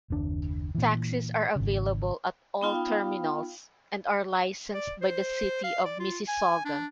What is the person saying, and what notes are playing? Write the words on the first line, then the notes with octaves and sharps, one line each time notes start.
Taxis are available at all terminals, and are licensed by the City of Mississauga.
F#1 D#2 D4
A#2 E3
G#1 C#3
B3 D#4 F4 F5 G5
D5
C5
F5
D5
F4
G#5
D4